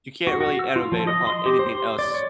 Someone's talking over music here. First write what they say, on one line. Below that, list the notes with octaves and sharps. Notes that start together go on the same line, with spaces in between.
You can't really innovate upon anything else
F#4
F#4
E6
F4
F3
D#5
C6
G4
C5
C6
D5
C#5